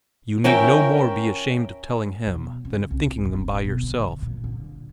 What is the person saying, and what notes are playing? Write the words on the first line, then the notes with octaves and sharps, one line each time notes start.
You need no more be ashamed of telling him than of thinking them by yourself.
C#4 A#4 E5 G5
B2
C#3
C2
D#1
B2
D3
A#2
D3